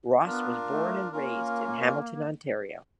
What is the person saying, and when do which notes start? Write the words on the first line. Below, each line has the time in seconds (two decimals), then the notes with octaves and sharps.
Ross was born and raised in Hamilton, Ontario.
0.25 B3 D4 F4 A#4
0.68 A3
1.11 A#3 C#4 F4 A#4